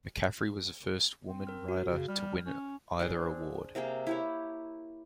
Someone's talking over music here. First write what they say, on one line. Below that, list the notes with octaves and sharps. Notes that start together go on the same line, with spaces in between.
McCaffrey was the first woman writer to win either award.
C4
A#4 F6
F#4
C#3
G3 F6
C#4
C4 D4 G#4
C3 A#3 G#4 G5
E4 G4 C#5